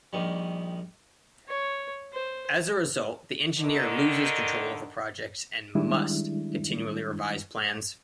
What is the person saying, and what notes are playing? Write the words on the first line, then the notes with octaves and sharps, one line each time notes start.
As a result, the engineer loses control over projects and must continually revise plans.
A#1 D#3 G3
C#5
C5
D3 D#3
D#3 G3 G#3 D4 E4